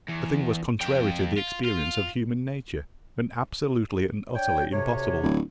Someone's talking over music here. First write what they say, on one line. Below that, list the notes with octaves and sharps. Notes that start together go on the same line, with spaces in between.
The thing was contrary to the experience of human nature, and absolutely and utterly impossible.
E2
F2 G5
F4
F4
D4 C#5 G5
D2 C3 C#5
D1